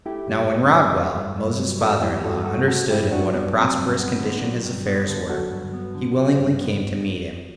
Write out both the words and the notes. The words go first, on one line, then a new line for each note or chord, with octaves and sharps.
Now when Raguel, Moses's father-in-law, understood in what a prosperous condition his affairs were, he willingly came to meet him.
A3 E4 G4
G2
G2
F#3
A3
G2
G2
F#3
A3 F#4 A4
G2 E4 G4
G2 F#4 A4
F#3 F#4 A4
A3 F#4 A4
G2 E4 G4
G2 D4 F#4
F#3 B3 D4
F#3 C4
G2
B3
D3
F#3
G2
B3
D3
F#3 F#4 A4
G2
B3
D3
F#3
G2
B3